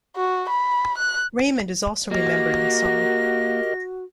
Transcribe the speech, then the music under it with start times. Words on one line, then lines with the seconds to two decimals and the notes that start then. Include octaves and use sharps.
Raymond is also remembered in song.
0.16 F#4
0.49 B5
0.98 F#6
2.11 A#3 F#4 G4 A#4 D#5 A#6